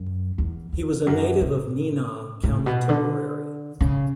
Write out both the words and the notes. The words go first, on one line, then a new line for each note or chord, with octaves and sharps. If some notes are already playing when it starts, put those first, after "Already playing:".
He was a native of Nenagh, County Tipperary.
Already playing: F#2
E2
E2
F#2
A2
A2
B2
D3
C#3